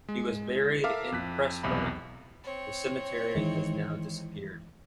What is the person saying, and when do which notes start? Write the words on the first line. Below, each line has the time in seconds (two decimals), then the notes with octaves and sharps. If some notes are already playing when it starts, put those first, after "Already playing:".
He was buried in Pressburg, the cemetery has now disappeared.
0.09 G#3
0.84 A4 A#4 E5 F5 A#5 D6
1.12 F2 F#6 B6
1.63 B1 E2 C3 E5 B5
2.45 C4 C#5
3.35 D#3 E3 G#3